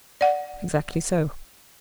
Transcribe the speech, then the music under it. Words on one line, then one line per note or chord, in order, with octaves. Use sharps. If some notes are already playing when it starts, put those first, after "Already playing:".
"Exactly so."
D5 F#5